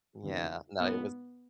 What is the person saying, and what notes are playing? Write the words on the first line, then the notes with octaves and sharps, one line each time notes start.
Yeah, no, it was
D#2 C#3 F#3 B3 D#4
A#2 G#3 B3 D#4